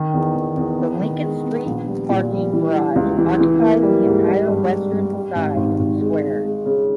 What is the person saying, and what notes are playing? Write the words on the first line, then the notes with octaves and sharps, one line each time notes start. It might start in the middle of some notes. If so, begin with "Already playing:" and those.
The Lincoln Street Parking Garage occupies the entire western side of the square.
Already playing: D#3
E2
D#3
E2
B3
D#3
G#3
B3
A#1
G3
A#2
G3
E3
G3
C#2
E3
E3
A#3
G3
G#2
G3
G2
G3
G2
G3
G#1
G#1
G#1
G#3
G#3
G#3
C#3